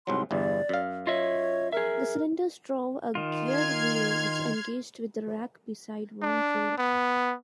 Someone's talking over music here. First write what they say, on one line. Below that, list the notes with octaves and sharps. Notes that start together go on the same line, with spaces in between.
The cylinders drove a geared wheel which engaged with the rack beside one rail.
C2 G#2 F#3 C6
G1 E2 G2 D5
F#2 F5
F4 C#5 D#5 E5
G#4 A#4 E5
D#3 F4
C6 F6 G#6
D4
B3